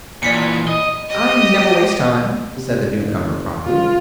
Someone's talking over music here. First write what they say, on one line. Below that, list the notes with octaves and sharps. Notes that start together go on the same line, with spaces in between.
"I never waste time," said the newcomer, promptly.
A#2 E3 D5 B6 C#7
D#5
G4 D#5
C3
F#1
C#2 F4